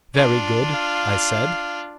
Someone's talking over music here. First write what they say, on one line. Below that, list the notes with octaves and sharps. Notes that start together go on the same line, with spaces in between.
"Very good," I said.
D4 F4
F5